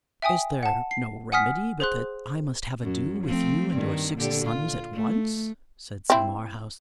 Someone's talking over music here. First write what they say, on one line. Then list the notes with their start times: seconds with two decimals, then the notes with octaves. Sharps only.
Is there no remedy but that I must have ado with you and your six sons at once? said Sir Marhaus.
0.22 E5 G5 G#5 D#6
0.63 F#5 A5
0.91 C7
1.32 F#5 G#5 D#6 F6 B6
1.80 G#4 C5 C6 F#6
2.83 F#2
3.24 F3 A3 C4
3.74 G2 D#3
4.16 A#2 D3 G4
4.45 F4
4.93 A3
6.10 C4 E4